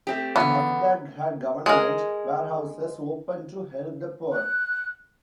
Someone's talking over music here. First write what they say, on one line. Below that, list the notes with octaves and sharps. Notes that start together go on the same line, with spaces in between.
Mazdak had government warehouses opened to help the poor.
A3 C4 G4
E2 D3 B3
G#3 A#4
F#6